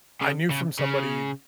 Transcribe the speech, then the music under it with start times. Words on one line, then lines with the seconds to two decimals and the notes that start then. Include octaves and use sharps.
I knew from somebody,
0.22 C#3
0.51 C#3
0.79 C#3